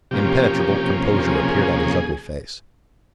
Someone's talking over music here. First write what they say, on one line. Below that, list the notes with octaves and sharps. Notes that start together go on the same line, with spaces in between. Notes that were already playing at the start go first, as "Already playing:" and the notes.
Impenetrable composure appeared on his ugly face.
C3 F3 A#3 C#4 G4
G4
G#4